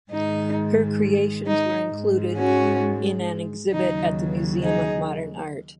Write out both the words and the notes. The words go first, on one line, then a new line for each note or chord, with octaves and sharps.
Her creations were included in an exhibit at the Museum of Modern Art.
G#2 D#3 G#3 D#4
D#4
G#2 G#3
C#4 F#4
D#2 C#3 F#3 D#4
D#4 G#4